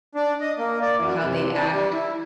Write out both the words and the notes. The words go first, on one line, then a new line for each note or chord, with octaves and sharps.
like, how they'd act.
D4
D#5
A#3
D5
F#2
C3
D4
G3
E4